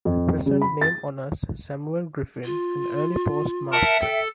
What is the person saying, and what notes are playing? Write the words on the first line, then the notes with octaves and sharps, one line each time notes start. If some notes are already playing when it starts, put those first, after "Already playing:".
The present name honors Samuel Griffin, an early postmaster.
F2
C#3
B5
A6
F4
A#4 E5 F#5 A5
A4 G5